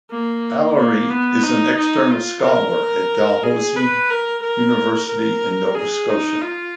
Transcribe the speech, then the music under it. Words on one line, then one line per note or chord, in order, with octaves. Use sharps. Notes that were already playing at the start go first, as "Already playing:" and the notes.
Alary is an External Scholar at Dalhousie University in Nova Scotia.
A#3
A#3
B3
D#4
D#4
F4
A#4
G#4
B4
A#4
A#4
A#4
G#4
D#4
F4